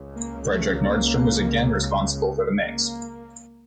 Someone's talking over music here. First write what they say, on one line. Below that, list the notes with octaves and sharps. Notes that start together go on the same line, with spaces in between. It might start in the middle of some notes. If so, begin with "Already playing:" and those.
Fredrik Nordström was again responsible for the mix.
Already playing: C#2 C#3
A#3
A3
A#3
A#3